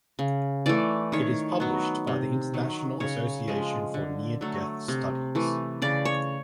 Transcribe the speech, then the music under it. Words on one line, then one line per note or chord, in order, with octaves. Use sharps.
It is published by the International Association for Near-Death Studies.
C#3
E3 A3 D5
D#3 C#5
F#3 B3
C3
D#3 F#3
C#3 C#5
F3 G#3
D3
F#3 A3
C3
E3 A3
C#3 D5
C#5